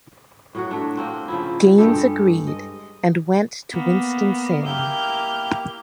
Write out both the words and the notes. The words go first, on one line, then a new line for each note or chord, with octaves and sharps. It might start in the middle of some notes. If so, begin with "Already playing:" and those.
Gaines agreed and went to Winston-Salem.
A2 F#3 F#4
A3 D4
A#3 C4
C#3 F3 E4
G2 G#3 G4 A4
D#5
A#3 B3
A#3 E4 G4 F6 G6